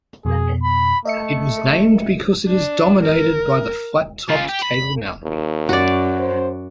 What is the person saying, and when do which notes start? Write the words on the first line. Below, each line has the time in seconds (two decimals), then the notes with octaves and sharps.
It was named because it is dominated by the flat-topped Table Mountain.
0.25 F2 B2 G#4
0.63 B5
1.05 A3 D#5 E5 C#7
2.48 D4
3.03 A#4
4.29 C#3 F4
4.49 G4
4.63 B5
5.23 D#2
5.69 F#2 F#4 D5
6.19 C5